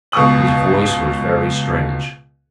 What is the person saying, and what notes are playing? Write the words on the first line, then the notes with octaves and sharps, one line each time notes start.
His voice was very strange.
C#2 B2 C#6 D#6 F#7